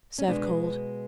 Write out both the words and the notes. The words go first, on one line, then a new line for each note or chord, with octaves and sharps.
Serve cold.
C#4
B2 G#3 B3 D4